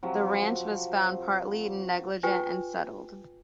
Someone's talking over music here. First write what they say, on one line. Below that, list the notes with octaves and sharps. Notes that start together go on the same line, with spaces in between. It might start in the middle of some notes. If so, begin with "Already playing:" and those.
The Ranch was found partly negligent and settled.
C3 F3 F#3
F4 G4 B4 G5 G#5